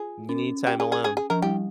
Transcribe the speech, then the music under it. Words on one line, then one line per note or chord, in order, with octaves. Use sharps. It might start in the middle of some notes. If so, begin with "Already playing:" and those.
You need time alone.
Already playing: F4 G#4
C#4
G4
G#4
G#4
G#4
G#4
F3 A#4
G3 G4